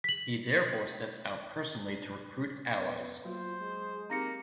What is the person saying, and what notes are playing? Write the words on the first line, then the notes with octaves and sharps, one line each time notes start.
He therefore sets out personally to recruit allies.
B6 F#7
B3 D5
F#3 A#3 F4 F#4 C5
G#3
A#3 C4 D#4 G4 A#5 A#6 C#7